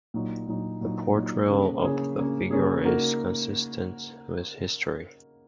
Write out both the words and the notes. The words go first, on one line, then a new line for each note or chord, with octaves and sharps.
The portrayal of the figures is consistent with history.
A#2 F#3 D#4
A#2 F#3 D#4
A#2 F#3 D#4
A#2 F#3 D#4
C#3 A#3 C#4 G#4
C#3 A#3 C#4 G#4
C#3 A#3 C#4 G#4
C#3 A#3 C#4 G#4
C#3 A#3 D#4 F#4 A#4